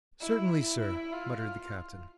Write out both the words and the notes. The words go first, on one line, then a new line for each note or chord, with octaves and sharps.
"Certainly, sir," muttered the captain.
E4
E4
E4
F4